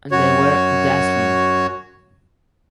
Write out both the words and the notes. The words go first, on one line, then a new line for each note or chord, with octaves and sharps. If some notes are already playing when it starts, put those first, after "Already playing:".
They were dazzling.
F#2 F#4 C#5